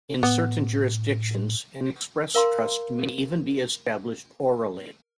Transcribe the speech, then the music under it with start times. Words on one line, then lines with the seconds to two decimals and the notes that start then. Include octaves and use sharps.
In certain jurisdictions, an express trust may even be established orally.
0.23 A2 B3
2.35 A#4 F5 A#5 C6